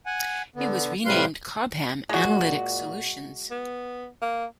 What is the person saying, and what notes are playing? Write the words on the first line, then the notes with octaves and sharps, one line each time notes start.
It was renamed Cobham Analytic Solutions.
F#5 G#5
D3 B3
A2 C3 G3 B4 F5 C6
A#2 G#3 F#4
B3
A#3